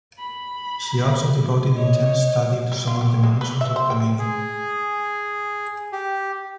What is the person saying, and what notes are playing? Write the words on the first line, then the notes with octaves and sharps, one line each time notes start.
She also devoted intense study to some of the manuscripts of Bellini.
B5
C#5 D#5
G3
F4
G4
G#3
B4
E5
C5
G5
G#4
G4